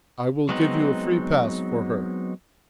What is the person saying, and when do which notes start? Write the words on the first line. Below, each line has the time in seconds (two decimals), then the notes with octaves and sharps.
I will give you a free pass for her.
0.49 F#3 G#3 B3 C4 D#4